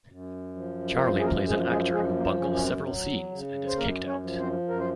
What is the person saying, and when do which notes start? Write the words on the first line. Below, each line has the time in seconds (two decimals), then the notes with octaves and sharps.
Charlie plays an actor who bungles several scenes and is kicked out.
0.09 F#2
0.55 F3
0.96 A#4
1.01 F#2 C4 C5
1.19 G#4
1.24 A#3 A#4
1.47 F3 G#3 G#4
1.70 G#3 G#4
1.93 F#2 G#3 G#4
2.16 A#3
2.39 F#2 C#3 C#4
2.54 C#4
2.62 C3 C4
2.86 F#3
3.31 C#3
3.67 C5
3.77 F#2 A#3 A#4
4.07 C#4 C#5
4.23 F3
4.39 C4 C5
4.69 F#2 A#4
4.79 C5